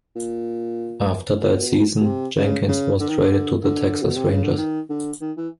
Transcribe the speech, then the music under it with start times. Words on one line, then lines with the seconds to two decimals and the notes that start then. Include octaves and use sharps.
After that season, Jenkins was traded to the Texas Rangers.
0.16 A#2
1.42 B2
2.00 B2
2.05 C3
2.37 C#3
2.68 C#3
3.00 D3
3.09 D#3
3.18 D3
3.31 D3
3.63 D3
4.02 B2
4.16 C3
4.30 C#3
4.44 D3
4.58 D#3
4.89 D3
5.21 D#3
5.37 E3